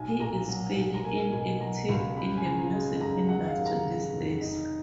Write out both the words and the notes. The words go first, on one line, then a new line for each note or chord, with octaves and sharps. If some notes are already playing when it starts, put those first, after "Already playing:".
He is fairly inactive in the music industry these days.
Already playing: B1 G#5
A#2 A#5
F#3
B1
A#5
A#3 G#5
B2 G#5
F#3 A#5
C#2 B5
F#2 B5
G#5
C#3 A#5
G#3
F#2 A#5
F#3 F#5
F5
D#2
A#5
C#3
F1
D#4